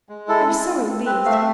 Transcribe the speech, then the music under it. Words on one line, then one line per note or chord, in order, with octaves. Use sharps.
I was so relieved!
G#3
E4 A4
E4
C4
C4
C4 B4
A3 F5
E5